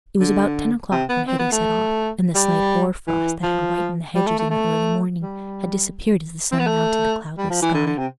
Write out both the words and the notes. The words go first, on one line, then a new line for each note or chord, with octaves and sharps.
It was about ten o'clock when Hetty set off, and the slight hoar-frost that had whitened the hedges in the early morning had disappeared as the sun mounted the cloudless sky.
D3
C3
B3
C4
B3
A3
G3
E3
F3
G3
A3
A3
A3
G3
C4
B3
A3
G3
F3
E3
D3
D3
C3